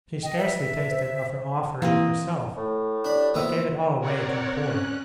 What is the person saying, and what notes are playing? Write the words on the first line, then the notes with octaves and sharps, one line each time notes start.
She scarcely tasted of her offering herself, but gave it all away to the poor.
D#5 G5
B4 E5
C5
E3 A#3 C4 D#5
A2 A3
C3 D4 D5 B5
A#3 B3 F4 B4 C5 E5
C4 A#4 C#5 D5 F#5
C#4 F#6